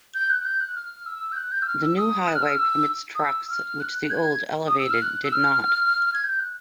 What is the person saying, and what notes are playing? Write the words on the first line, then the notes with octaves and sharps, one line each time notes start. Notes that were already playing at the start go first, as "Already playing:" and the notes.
The new highway permits trucks, which the old elevated did not.
G6
F#6
F#6
G6
F#6
F6
E6
G6
F#6
G6
E6
F6
E6
D#6
F#6
F6
E6
F6
E6
D#6
E6
E6
F6
F#6
G#6
D#6
E6
F6
F#6
E6
F6
G#6
G6
F#6